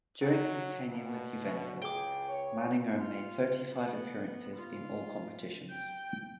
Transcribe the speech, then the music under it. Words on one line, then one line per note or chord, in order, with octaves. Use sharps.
During his tenure with Juventus, Manninger made thirty-five appearances in all competitions.
F#3
B2
D3 C#4 F#4
C#2 G#4 G5 D6
C#5
F4
B3
F4
G5